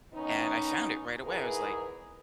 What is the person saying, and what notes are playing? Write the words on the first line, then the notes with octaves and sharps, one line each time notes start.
and I found it right away. I was like,
D#3 B3 C#4 D#4
E2 G#2 E3 G#4 A#4 B4